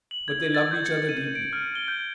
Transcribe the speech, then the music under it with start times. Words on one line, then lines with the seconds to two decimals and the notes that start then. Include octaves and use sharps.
But they loved each other deeply.
0.11 F#7
0.28 G#6
0.55 A6
0.71 G6
0.86 C#7
1.09 D#7
1.35 D7
1.53 F6
1.75 G7
1.88 G6